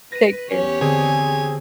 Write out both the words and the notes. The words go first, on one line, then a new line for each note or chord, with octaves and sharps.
Take care.
B4 A#6 D#7
E2 C#4 G4 C#5
D3 C4 G#4 G#5